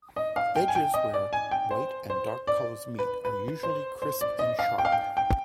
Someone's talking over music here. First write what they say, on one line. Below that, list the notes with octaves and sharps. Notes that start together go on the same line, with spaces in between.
Edges where white and dark color meet are usually crisp and sharp.
D#5
F5
G5
G#5
G5
D#5
D5
G#5
G5
C5
C5
D5
B4
B4
C5
C5
D5
D#5
F5
G5
F5
G5
G5